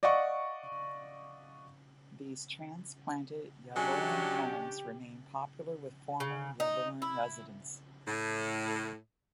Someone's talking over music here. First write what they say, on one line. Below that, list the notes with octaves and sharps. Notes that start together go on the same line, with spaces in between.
These transplanted Yallourn homes remain popular with former Yallourn residents.
D5 D#5 F5 F#5 C#6
F#3 C#4 D4 G4 G#4 D#5
C#3
D#4
E4
A2